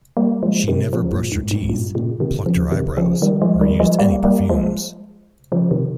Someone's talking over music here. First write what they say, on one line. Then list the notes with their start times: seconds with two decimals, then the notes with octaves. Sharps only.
She never brushed her teeth, plucked her eyebrows, or used any perfumes.
0.17 G3 A#3
0.43 F3 G#3
0.68 C3 D#3
0.93 C#3 F3
1.12 G2 A#2
1.32 G#2
1.51 G#2
1.70 G2 A#2
1.95 A#2 C#3
2.20 C3 D#3
2.46 C#3 F3
2.71 C3 D#3
2.97 C#3 F3
3.22 D#3 G3
3.42 F3 G#3
3.61 D#3 G3
3.80 F3 G#3
3.99 G3 A#3
4.24 G3 A#3
4.50 F3 G#3
5.52 C#3 F3
5.71 C3 D#3